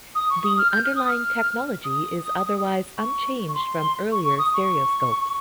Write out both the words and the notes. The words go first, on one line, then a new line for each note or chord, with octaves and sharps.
The underlying technology is otherwise unchanged from earlier stereoscopes.
D#6
C#6
D#6
F6
G6
F6
D#6
F6
D#6
C#6
C#6
C6
C#6
C#6
D#6
C#6